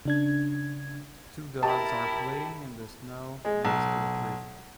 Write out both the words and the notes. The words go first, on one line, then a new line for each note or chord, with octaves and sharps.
Two dogs are playing in the snow next to a tree.
C#3 D4 G#6
E4 G4 A#4 G5 A5
G#3
B1